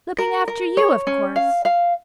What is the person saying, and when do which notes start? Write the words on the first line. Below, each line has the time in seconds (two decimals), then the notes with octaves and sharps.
"Looking after you, of course."
0.18 A#4
0.48 A#4
0.77 C#5
1.07 C#4
1.36 F5
1.65 F5